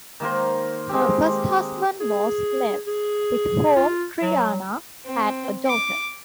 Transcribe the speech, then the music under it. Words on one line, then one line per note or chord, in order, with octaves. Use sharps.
Her first husband was Lev, with whom Triana had a daughter.
D#3 A#3 A#4 C5
G#3 C4 G4
G#4
G#4
F4
F#3
C4
D6